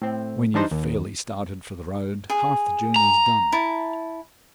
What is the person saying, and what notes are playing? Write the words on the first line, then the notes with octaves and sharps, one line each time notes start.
When you've fairly started for the road half the journey's done.
A2 C4
E3 G3 D4 D#4 C5
D#2
G#4
A#5
E4 A5